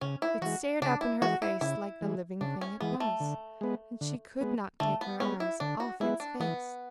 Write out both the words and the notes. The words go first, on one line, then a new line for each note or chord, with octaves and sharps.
It stared up in her face like the living thing it was, and she could not take her eyes off its face.
C#3 C#4
E4
E3 G#3 F#4
C#3 D4
E4
E3 G#3 F#4
E4
C#3 E4
E3 G#3
C#3 D4
C#4
E3 G#3 B3
A3
D3
G#3 B3
D3
G#3 B3
D3 A3
B3
G#3 B3 C#4
E4
D3 D4
F#4
G#3 B3 E4
D4
E3 B3